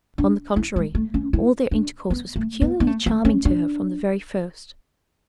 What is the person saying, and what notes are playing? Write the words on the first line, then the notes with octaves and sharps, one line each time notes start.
On the contrary, all their intercourse was peculiarly charming to her from the very first.
D4
E4
G#3
A3
C#4
E4
D4
B3
A3
B3
B3
A3
A3
C#4
D4